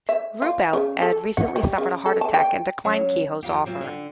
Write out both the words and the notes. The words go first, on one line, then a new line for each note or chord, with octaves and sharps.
Ruppelt had recently suffered a heart attack, and declined Keyhoe's offer.
E5
F4
C#3
A4
F#5
G3
C#3
A4
A5
G5
C#3 F#3 C#5
F2 F4 G4
F#3 C4 F4
D3 D4